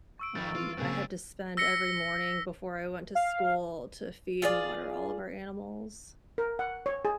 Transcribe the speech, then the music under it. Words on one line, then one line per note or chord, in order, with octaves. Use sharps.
Um, I had to spend every morning before I went to school to feed and water all of our animals.
C#6 E6 D7
D#3 C4 A6
E3 F4
G2 C#3 A#3 C4 G#4
E6 A#6 B6 C#7
F5
F4 G#4 D5
A#4
F#5
C#5
G#4